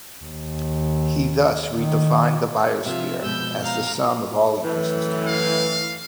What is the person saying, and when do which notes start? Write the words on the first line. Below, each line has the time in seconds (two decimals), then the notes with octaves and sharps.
He thus redefined the biosphere as the sum of all ecosystems.
0.23 D#2
1.75 D#3
2.86 C3 F3 F4 E5
3.23 B2 F3 G#3 E6 G6
3.62 F5 A#5
4.64 F#2 A2 E3
5.27 F5